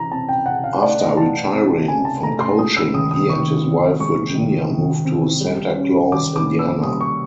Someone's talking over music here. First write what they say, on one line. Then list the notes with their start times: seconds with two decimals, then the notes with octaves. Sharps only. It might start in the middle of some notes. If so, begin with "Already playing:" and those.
After retiring from coaching he and his wife Virginia moved to Santa Claus, Indiana.
Already playing: E3 A#5
0.11 C4 A5
0.29 G5
0.46 C#3 F#5
0.64 F5
0.82 A3 D5
1.00 D#5
1.16 E3 A5
1.53 C4
1.88 C#3 G#5
2.05 A5
2.23 A3 A#5
2.40 C6
2.59 G#3 D#6
2.77 E6
2.94 D#3 D#6
3.11 D#6
3.28 D#3 C#6
3.64 C4
3.99 G#3 C#6
4.35 D#3
4.70 D#3
5.05 C4
5.40 G3
5.76 C#4
6.11 D#3 D6
6.36 D6
6.48 A#3
6.59 E6
6.83 G3 D#6
7.01 C#6